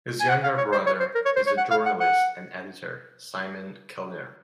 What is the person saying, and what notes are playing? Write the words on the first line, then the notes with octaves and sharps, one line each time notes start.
His younger brother is the journalist and editor Simon Kelner.
G#5
F#5
F5
C#5
C5
C#5
C5
A#4
C#5
C5
C#5
F#5
F5
F#5
F#5